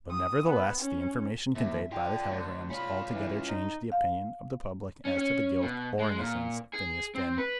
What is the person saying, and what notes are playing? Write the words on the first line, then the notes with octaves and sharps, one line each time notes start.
But nevertheless the information conveyed by the telegrams altogether changed the opinion of the public as to the guilt or innocence of Phineas Finn.
D#6
B3
C#4
D#2 E5
D3 F4 G5
D2
C#4 F4 B5
E3
D#4
F5
C#4
C#4
B2
G#3
A#2
G#4
C4
B4